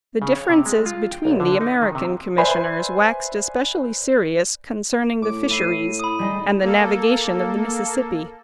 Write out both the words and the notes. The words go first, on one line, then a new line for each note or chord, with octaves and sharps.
The differences between the American Commissioners waxed especially serious concerning the fisheries and the navigation of the Mississippi.
C#3
C#5
C3
G#3
F4
G5
B1
D3
D#4
D#3
C3
B4 C5 D5 E5 G#5 C6
A2 D6
E4 C7 D#7
B5 D#6
G3 G#3 D#4
A#3 A4